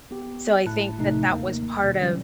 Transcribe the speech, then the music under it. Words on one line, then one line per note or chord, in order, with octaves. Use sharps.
so I think that that was part of
B3 G4
G1 A2 E4 A5 F#6
A#1 C3 A3 D#4
D#2 A#3
B2 D3
E3 F#3 G3 C#4